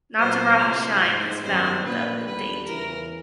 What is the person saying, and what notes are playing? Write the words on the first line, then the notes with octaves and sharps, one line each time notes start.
Nataraja shrine is found without the deity.
A#2 F#3 B3 C5
C3 F3 G#3 B3 E4
G#2 F3 G#3
F#2 D#3 G3 B3 C5
A#2 F3 A#3 D4 B4
D#2 D3 G3 B3 B4
E2 C#3 E3 A#4